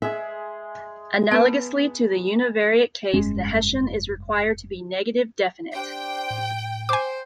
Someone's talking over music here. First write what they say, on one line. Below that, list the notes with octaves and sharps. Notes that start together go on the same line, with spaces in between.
Analogously to the univariate case, the Hessian is required to be negative definite.
G#3 G#4 E5
B3 B4 A5
F1 G2 G#3 C#4
D4 G4 C5 G5
A2
C5 G#5 D6